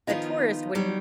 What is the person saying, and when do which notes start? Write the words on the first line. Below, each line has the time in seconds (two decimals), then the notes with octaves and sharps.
a tourist wouldn't
0.07 D#3 F3 B3 D#4 F4
0.75 D#3 F#3 G3